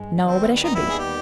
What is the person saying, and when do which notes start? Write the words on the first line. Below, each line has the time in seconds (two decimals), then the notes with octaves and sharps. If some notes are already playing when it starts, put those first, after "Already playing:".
"No--but I should be."
Already playing: G2 G#3
0.25 D#2 D#3 G3 B3 C4
0.64 D#4
0.75 E4
0.90 G#4
0.99 G4